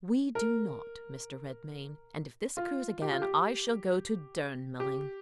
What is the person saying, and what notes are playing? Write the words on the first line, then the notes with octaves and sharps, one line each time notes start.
"We do not, Mr. Redmain; and, if this occurs again, I shall go to Durnmelling."
A#4
F4
G4
F4
G4
G4